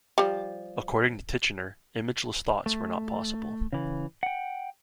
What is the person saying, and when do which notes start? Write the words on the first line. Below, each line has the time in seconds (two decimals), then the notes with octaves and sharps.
According to Titchener, imageless thoughts were not possible.
0.18 F3 G3
2.66 A3
3.73 C#3 E3
4.23 F#5 G5